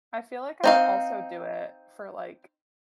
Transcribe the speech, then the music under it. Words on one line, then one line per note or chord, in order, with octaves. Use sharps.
I feel like I would also do it for, like,
C4 D#4 F5